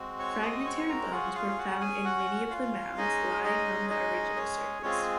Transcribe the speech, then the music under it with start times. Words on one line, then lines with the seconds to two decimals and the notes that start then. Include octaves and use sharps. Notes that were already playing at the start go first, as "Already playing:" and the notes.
Fragmentary bones were found in many of the mounds lying on the original surface.
Already playing: G#3 C4 F#4
0.19 C#5 C#6
0.42 D#5 D#6
0.65 C#5 C#6
0.89 A#4 A#5
1.11 C#4 F4 F#4 G#4 F#5
1.35 F4 F5
1.58 F#4 F#5
1.81 G#4 G#5
2.05 F#4 F#5
2.51 F4 F5
2.97 G#3 C#4 D#4 G#4 D#5
3.44 D#4 D#5
3.90 D#4 D#5
4.36 C#4 C#5
4.82 G#3 C4 C#4 F4 G#4 C#5